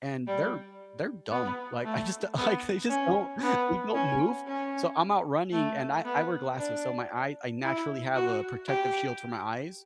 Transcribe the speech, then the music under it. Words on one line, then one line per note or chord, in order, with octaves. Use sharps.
and they're they're dumb, like I just like, they just don't they don't move, so I'm out running and I I wear glasses, so my eye I naturally have a protective shield for my eyes,
G3
B3
A3
B3
C#4
B3
C#4
C#4
A3
B3
D4
E4
F#4
G4